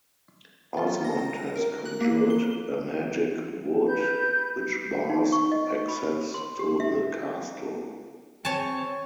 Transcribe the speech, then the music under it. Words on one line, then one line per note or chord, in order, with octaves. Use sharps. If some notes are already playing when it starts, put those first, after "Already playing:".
Osmond has conjured a "Magick Wood" which bars access to the castle.
F4
A#6
A#4
F#6
A#3
G7
B4 G6
D#4
C#6
D#5
B5
C6
G4
E5
C4 C#5 G#5 A5